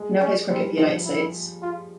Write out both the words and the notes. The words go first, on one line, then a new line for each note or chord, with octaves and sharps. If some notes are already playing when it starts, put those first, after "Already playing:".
He now plays cricket for United States.
Already playing: G#3
C#4
G3 C4
F3 C4
E4
F4